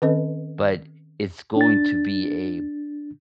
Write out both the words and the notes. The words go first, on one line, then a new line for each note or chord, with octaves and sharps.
But, it's going to be a
D#3 C4 C#4 A4 B4 D#5
D4 A6